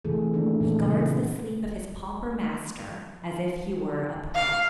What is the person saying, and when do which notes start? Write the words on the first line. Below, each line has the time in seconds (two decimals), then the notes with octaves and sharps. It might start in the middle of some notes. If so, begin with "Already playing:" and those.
He guards the sleep of his pauper master as if he were a prince.
0.05 C3 E3 A3 G#4 A4
0.33 D#3 A3 A#3 D4
0.61 A#2 D#3 E3 B3 C4 A4
0.82 C#3
4.35 F5